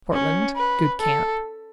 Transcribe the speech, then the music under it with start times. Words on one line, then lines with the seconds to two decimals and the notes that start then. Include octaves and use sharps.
Portland.--Good camp.
0.13 C#4
0.56 B4
1.00 A4